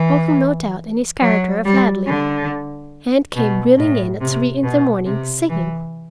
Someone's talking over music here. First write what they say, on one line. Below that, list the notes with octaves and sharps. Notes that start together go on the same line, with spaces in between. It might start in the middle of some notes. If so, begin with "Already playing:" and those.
Holcombe, no doubt, in his character of Ladley--and came reeling in at three in the morning, singing.
Already playing: E3
F#3
G3
D3
B2
A2
C3
B2
C3
E3